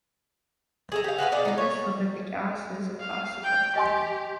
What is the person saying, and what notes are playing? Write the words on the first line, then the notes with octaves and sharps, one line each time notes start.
In this limit, the gas is classical.
G#4 A4 A#5
G4 F5
F#4 G#4 B4 F5
B2 G#4 D5
D#4 F4
C#5
F5
G5
G4 D#5 G#5 C6